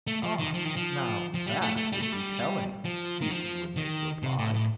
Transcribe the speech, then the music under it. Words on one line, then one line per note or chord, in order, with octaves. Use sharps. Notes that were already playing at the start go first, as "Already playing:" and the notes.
"Ah, now, that would be telling!" Deasey would make reply.
A3
F3
D#3
F3
D#3
F3
F3
G3
A3
A3
G3
A3
G3
F3
D#3
F3
D#3
C3
A2
A2